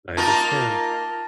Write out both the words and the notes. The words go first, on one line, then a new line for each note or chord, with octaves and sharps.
I understand.
A#3 D#4 F4 A5 A6